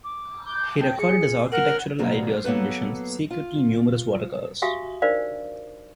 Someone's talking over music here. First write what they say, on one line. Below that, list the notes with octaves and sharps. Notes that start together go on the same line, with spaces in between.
He recorded his architectural ideas and visions secretly in numerous watercolors.
D6
D6 G6
G5 A5
G#4 C#7
A#4 F#5 F#7
B2 D3 F#3 G3 A#3
F#3 A#3 B3 A4 B4
F4
F#4 G4 E5 F5 G#5 D#6
D4 D#4 A#4 C5 D5 F5